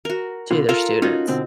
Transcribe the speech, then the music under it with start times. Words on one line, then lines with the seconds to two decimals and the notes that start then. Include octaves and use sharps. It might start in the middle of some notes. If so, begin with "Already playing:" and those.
to their students.
0.05 F#4 A#4
0.51 B2 D3 F4
0.69 F4 A4 A#4 F5
1.02 C#4 D#4 F4 F#4
1.27 B2 D3 C4